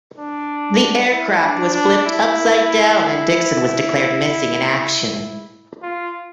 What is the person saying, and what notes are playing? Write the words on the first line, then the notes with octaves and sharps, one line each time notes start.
The aircraft was flipped upside down and Dickson was declared missing in action.
D4
E4
D4
D4
E4
F4